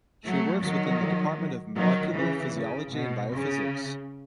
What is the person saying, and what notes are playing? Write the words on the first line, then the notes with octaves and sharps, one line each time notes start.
She works within the Department of Molecular Physiology and Biophysics.
F#3 A3
D#3 F#3
D#3 F#3
C#3 E3
C#3
B2
C#3